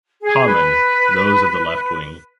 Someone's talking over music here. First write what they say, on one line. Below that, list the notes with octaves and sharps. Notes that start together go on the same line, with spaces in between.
Common, those of the left wing.
G#4
B4